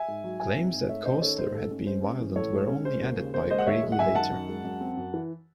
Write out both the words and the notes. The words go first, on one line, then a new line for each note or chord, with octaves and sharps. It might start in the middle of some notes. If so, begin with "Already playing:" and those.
Claims that Koestler had been violent were only added by Craigie later.
Already playing: E5 G#5
G#2
F#3
G#2 E5 G#5
C4
G#2
A3 C#5 E5
C#4 C5 D#5
D#3 A4 C#5
G#2 C5
A3 A4
C#4
G#3 C5
C#4
E3
A2 A4 C#5
G#3
C#4
G#3 C5
D#2
C#3
D#2 C5
G#3 C5 D#5
F#5
D#2 C#5 E5
G#3
F#5
F#2 E5 G#5
D#3 F#5 A5
F#2
G#3
F#2
C4
F#2
E3